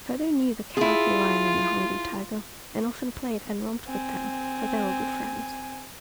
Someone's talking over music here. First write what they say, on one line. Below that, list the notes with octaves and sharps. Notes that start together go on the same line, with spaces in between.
Toto knew the Cowardly Lion and the Hungry Tiger and often played and romped with them, for they were good friends.
E4 F4 G#4
C4 G#5